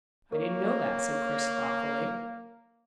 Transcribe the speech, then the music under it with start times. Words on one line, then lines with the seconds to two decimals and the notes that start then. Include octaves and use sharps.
"I didn't know that," said Chris thoughtfully.
0.32 A#3 A#4 C#5